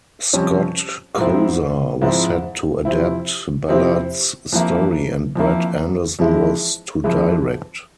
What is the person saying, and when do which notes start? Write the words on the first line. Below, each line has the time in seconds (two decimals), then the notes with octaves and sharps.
Scott Kosar was set to adapt Ballard's story, and Brad Anderson was to direct.
0.33 F2 C3 G3 C#4
1.18 G#2 F3 C4 E4
2.02 G#2 F3 C4 E4
2.85 C3 F3 C4 E4
3.68 C3 F3 C4 E4
4.53 F2 E3 A#3 E4
5.36 F2 E3 A#3 E4
6.19 F2 E3 G#3 E4
7.04 F2 E3 G#3 E4